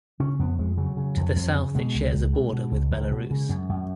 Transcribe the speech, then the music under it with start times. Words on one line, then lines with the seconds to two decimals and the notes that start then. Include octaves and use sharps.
To the south it shares a border with Belarus.
0.20 C#3 C#4
0.39 F2 B3
0.59 F2 G#3
0.77 C#3 F#3
0.97 C#3
1.16 F2
1.36 F2
1.55 C#3
1.75 B2 G#3
1.95 C#2
2.14 C#2
2.33 B2
2.53 B2
2.71 C#2
2.91 C#2
3.11 B2
3.31 C#3
3.49 F#2
3.69 F#2